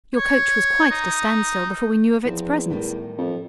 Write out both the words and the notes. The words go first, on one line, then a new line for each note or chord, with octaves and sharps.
Your coach was quite at a standstill before we knew of its presence.
C#5
D#4
E2 F3 C4
A2 D#3 G3
F2